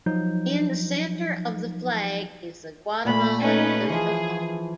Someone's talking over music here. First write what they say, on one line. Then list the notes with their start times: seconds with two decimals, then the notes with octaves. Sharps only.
In the center of the flag is the Guatemalan coat of arms.
0.06 F3 F#3 D#4 G6
3.05 A#2 A3 B5
3.40 C#4 D#4 B4
3.89 E3 F3 G#4